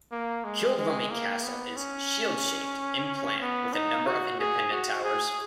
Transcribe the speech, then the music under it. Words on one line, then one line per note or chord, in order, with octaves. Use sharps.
Kildrummy Castle is "shield-shaped" in plan with a number of independent towers.
A#3
G#3
G#3
A#3
B3
C#4
B3
D#4
F#4
G#4
F#4
G#4